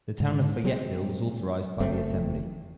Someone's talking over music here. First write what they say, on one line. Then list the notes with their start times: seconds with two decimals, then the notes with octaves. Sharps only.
The town of Fayetteville was authorized by the assembly.
0.20 G#2
0.64 F#3 G#3 C4
1.80 F#1 A3 C4